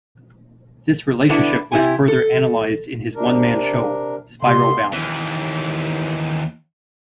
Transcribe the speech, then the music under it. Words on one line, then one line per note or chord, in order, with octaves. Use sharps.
This relationship was further analyzed in his one-man show "Spiral Bound".
B2 D3 B3 D4 E4 A5
C3 E4 G4 G#5
A4
C3 D4 A#4
C3 G#3 B3 G4 F5 C6
D#2 E3